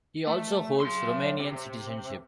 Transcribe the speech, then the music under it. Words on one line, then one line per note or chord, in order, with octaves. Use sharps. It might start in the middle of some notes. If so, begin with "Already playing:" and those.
He also holds Romanian citizenship.
A3
F#3 C6
C3